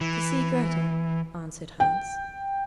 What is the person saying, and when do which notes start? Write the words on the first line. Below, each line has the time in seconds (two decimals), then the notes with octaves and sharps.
'To see Grettel,' answered Hans.
0.01 E3
1.80 G5